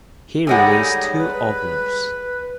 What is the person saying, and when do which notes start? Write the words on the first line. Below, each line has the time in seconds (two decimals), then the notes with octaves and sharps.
He released two albums.
0.47 G3 G#3 D#4 G#4 A4 C#5 F#5
1.17 B4